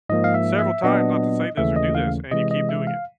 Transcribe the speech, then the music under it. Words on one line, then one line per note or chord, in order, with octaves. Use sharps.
"several times not to say this or do this, and you keep doing it."
G#2 F3 A#3 D#5
F5
E5
E5
A#2 F#3 B3 D4 D#5
D#2 C#3 E3 A3 C#4 E5
D#5
F5
C3 E3 G#3 D#5
D#5
E5
F5